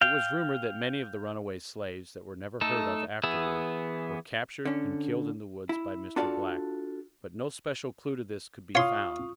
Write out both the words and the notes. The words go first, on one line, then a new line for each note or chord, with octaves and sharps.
It was rumored that many of the runaway slaves that were never heard of afterward, were captured and killed in the woods by Mr. Black, but no special clue to this could be found.
F5 G5
A3 D#4 A4
E3 B3 G#4 E5
D3 C#4
E4
D4 F4 F#4 A4 D5 F5
F4 C#5 F5 C6 C#6 D#6